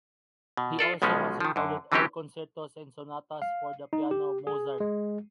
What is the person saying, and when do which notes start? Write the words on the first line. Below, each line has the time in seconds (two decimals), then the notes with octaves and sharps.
He also has recorded all concertos and sonatas for the piano of Mozart.
0.57 B2
0.79 F4 A4 D5
1.02 B1 B2 F3 G#3 C#4
1.40 D#3 F3
1.56 F#2 D3
1.92 D3 E3 F#3 C4 C#4 G4
3.42 F5
3.93 D#4
4.11 G4
4.47 G#4
4.80 G#3